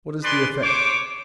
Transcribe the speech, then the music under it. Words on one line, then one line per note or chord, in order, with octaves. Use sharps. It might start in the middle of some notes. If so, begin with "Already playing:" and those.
What is the effect?
G#3 B4 D5 C6
C5 C#5 D6